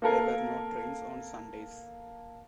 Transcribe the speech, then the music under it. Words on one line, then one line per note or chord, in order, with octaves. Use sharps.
There were no trains on Sundays.
A#3 A4 A#4 F5